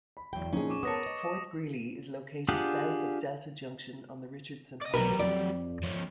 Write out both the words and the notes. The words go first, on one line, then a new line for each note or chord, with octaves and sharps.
Fort Greely is located south of Delta Junction on the Richardson Highway.
B5
E2 F#3 G5
F2 A#2 C#4 D#4 G#4
C#6 D6 E7
B3 A#4 B4 C#5 A5 D#6 A#6 C#7
D#5
D4 F4 G4 G#4 F#5
D5 D#5
B1 F#3 G3 A#4 B4
F2 D5
F3 C#4